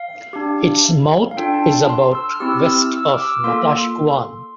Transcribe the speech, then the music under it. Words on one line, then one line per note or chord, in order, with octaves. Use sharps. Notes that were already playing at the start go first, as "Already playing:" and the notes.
Its mouth is about west of Natashquan.
Already playing: F5
D4 G4
F5
D4 F4 A4 G5
A5
A5
C6
E6
F6
C4 E4 G4 E6
F6
E6
F6
E6
F6
D6
E6
D6
A#3 F4 A4 C6